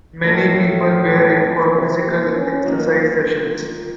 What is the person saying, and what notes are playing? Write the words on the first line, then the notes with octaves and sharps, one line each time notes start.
Many people wear it for physical exercise sessions.
A2 F#3 A#3 D#4 A4
A#2 F3 A3 C4 D#4
C3
A#3
C#4
D#3 F#3 A#3 D#4 F4